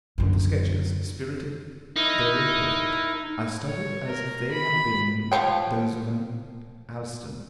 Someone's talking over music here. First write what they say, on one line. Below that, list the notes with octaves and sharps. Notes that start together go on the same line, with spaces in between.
But the sketches, spirited though imperfect, I studied as if they had been those of an Allston.
F#2 D3
D#4 E4 A#4
C#5
A#4
B5
F3 C#5 G5